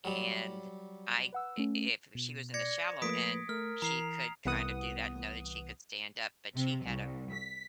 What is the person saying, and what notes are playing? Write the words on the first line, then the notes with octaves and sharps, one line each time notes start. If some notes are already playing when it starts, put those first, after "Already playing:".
And I i if she was in the shallow end, she could kind of do that and know that she could stand up, but she had a
F#3 G3
B4 F#5 E6
A3 C#4
B2
D5 G#6 A#6 C#7
F3 A3 A#3 B4 D#6 B6 D7
A3 A#4 F6
E3 A#5 C7 F7
C2 E3 B3 F#5 D#6
C3
C2
B6